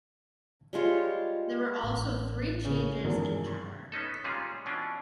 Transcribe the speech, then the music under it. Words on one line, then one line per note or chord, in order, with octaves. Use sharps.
There were also three changes in power.
G3 G#3 F4 C#5
A1 A2
C#3
G#1 E2 G2 C3 F#3 A#4
B3 C#4 D#4 A4
A#2 G3 G#3 C#4 F4 G#4
B2 E3 C#4 D4 F4